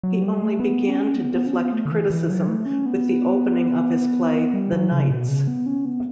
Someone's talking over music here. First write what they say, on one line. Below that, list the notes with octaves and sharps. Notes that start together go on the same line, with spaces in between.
He only began to deflect criticism with the opening of his play, "The Knights".
F#3
G3
A3
B3
C#4
B3
B3
C#4
B3
A3
D3
E3
E3
F#3
A3
C#4
B3
G3
F#3
C#3
B2
C#3
B3
C#4
B3